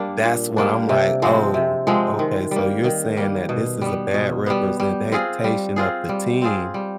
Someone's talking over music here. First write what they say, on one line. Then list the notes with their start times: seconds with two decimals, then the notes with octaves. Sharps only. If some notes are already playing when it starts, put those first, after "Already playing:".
that's when I'm like, "Oh, okay. So you're saying that this is a bad representa tion of the team,
Already playing: G3 A#3 D4
0.24 A#2
0.57 G3 A#3 D4
0.89 C3
1.22 F3 G#3 C4
1.54 C3
1.87 F3 G#3 C4
2.19 D#3
2.51 G3 A#3
2.84 D#3
3.17 G3 A#3
3.49 B2
3.82 G3 B3
4.14 B2
4.46 G3 B3
4.80 G3
5.12 C4 F4 G#4
5.44 G3
5.76 C4 F4 G#4
6.09 G3
6.42 C4 F4 G#4
6.74 G3